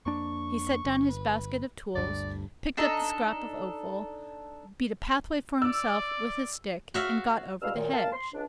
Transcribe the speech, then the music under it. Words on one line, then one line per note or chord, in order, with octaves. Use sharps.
He set down his basket of tools, picked up the scrap of offal, beat a pathway for himself with his stick, and got over the hedge.
F2 A#3 D4 C#6
G1
B4
G1 D2 G2 D5
D4 D#4 A4 A#5
D5 E6
F#4 E5 F5
E2 G2 B2 F5 E6 F6
F#2 A#2 D#3
A#4 F5 A5
C6
C#2 D4